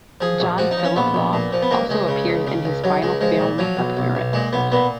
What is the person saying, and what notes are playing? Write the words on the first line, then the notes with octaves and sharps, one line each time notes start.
John Phillip Law also appears in his final film appearance.
F3 G#4
A#1
F3 F#4
D#4
F3
C#4
A#1 B3
A#1
A#2
F3
B3
C#2 A#3
C#2 G#3
C#3
C#2
C#3
C#2
C#2 F#3
C#2 G#3
F3 G#3
A#2
F3 F#3
B1
B1
B1
A#2 G#3
B1 B3
A#2 B3